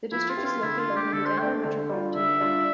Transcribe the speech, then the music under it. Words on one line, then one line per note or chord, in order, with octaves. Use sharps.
The district is located within the Denver metropolitan area.
F3 E4
F4
B3 E4 G4
F4
D3 E4
F4
A3 D4
G4
D3 A4
C5
A3 D4 G5
D3
G3 D4 F4
D3 E5
G3 D4 F4